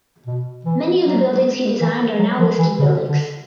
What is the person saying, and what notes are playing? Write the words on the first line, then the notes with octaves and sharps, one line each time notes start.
Many of the buildings he designed are now listed buildings.
B2
E3
F#3
E3
F#3
F3
E3
C#3
D3
D3